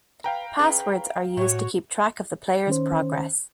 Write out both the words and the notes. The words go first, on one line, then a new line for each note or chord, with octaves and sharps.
Passwords are used to keep track of the players progress.
B4 F5 G5 A#5
C#4 G#4 B4
A2 G3 A3 F#4 C#5
D#3 C#4 C5